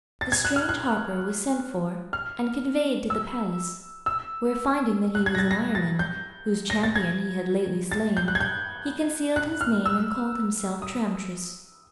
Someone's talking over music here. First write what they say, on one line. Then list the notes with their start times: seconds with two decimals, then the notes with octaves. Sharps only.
The strange harper was sent for, and conveyed to the palace, where, finding that he was in Ireland, whose champion he had lately slain, he concealed his name, and called himself Tramtris.
0.21 A6
0.32 G#6
0.45 F#6
0.56 F6
0.69 F#6
2.13 F6
3.10 E6
4.06 E6
5.15 F#6
5.26 G#6
5.35 A#6
5.39 A6
5.51 A#6
5.75 A6
5.99 G6
6.70 A#6
6.83 A6
6.96 G#6
7.92 A6
8.17 G6
8.28 F#6
8.35 G#6
8.40 G6
9.36 F#6
9.61 F6
9.86 E6
10.82 D#6